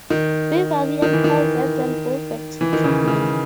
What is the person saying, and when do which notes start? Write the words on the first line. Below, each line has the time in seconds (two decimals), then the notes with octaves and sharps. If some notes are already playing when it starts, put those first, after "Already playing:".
Beverly and Paul get them both back to Cleveland.
0.10 D#3
1.02 D#3
1.13 E3
1.24 D#3
2.61 E3
2.73 D#3
2.84 C#3
3.07 C#3